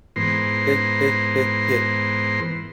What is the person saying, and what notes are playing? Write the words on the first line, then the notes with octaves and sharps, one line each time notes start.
Heh heh heh heh!
G#2 E3 B3 A#4 C5 C6